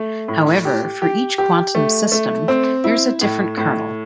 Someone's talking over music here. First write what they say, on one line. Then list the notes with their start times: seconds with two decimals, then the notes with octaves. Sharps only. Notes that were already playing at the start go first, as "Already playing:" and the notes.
However, for each quantum system, there is a different kernel.
Already playing: A3
0.28 A2
0.65 G4
1.02 G4
1.38 G4
1.75 A3
2.12 A3
2.48 C4
2.84 E4
3.21 A2
3.57 A2